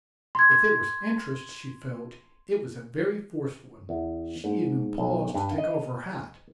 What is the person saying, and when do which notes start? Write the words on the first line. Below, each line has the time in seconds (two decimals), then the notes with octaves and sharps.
If it was interest she felt it was a very forced one. She even paused to take off her hat.
0.35 C6 G#6
3.89 E2
4.44 G#2
4.98 B1
5.34 G2
5.58 D#5